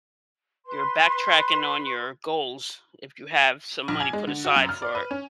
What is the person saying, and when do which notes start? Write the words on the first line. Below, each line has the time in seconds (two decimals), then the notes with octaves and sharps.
you're backtracking on your goals if you have some money put aside for,
0.67 B4 C6
3.88 A#1
4.00 G#5
4.13 G#3
4.27 D3
4.45 F#4
4.56 F#2
4.69 F6
4.82 D5
4.95 B4
5.11 C#4